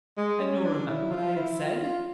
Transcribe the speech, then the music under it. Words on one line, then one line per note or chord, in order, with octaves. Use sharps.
"And you'll remember what I have said?"
G#3
C#4
D4
E4
F4
E4
F4
F4